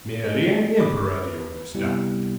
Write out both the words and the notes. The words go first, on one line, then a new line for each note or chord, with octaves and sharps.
"Merely an Emperor, you understand."
A3 G#4 A4 D#5
E5 B5 D6 D#6
B4
C3 G3 B3 E4 G4